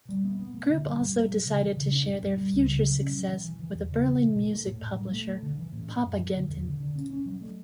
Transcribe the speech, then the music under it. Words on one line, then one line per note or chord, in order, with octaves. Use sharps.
Group also decided to share their future success with a Berlin music publisher "Popagenten".
G3
B3
B3
A3
D3
G2
G2
G2
F#3
C#3
E3
C#3
D4
G2
G2
G3
C#2
C#3
F#3
C#4
F#3
E3
E3
E3
E2
C#3
E3
A3
B2
A3
A2
A2
G3
A3
A3
D3
E3
A2
D4
F#2
F#3
D3
E2
D3
D3
C#4
C#4
F#3
A3